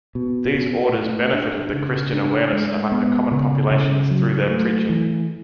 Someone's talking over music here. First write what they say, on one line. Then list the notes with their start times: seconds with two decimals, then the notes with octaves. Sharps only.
These orders benefited the Christian awareness among the common populations through their preaching.
0.15 B2
0.55 B2
0.94 A3
1.33 D4
1.73 C#3
2.13 D4
2.53 G#3
2.92 B3
3.32 C#3
3.71 C#3
4.10 F#3
4.50 A3
4.89 E3